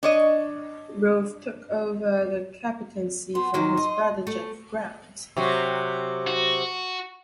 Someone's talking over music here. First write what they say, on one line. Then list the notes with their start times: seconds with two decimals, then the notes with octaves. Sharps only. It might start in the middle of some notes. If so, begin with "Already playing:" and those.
Rolph took over the captaincy from his brother Jackie Grant.
0.03 D4 C#5 D#5
3.35 B3 C6
3.54 E2 D#3 F#3
3.77 D#5
4.27 A3
5.37 C3 F#3
6.27 F#4